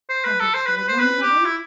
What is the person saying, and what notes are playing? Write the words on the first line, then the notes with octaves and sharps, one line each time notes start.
Had they killed one another?
C5
B4
A4
C5
B4
B4
C5
B4
G4
E4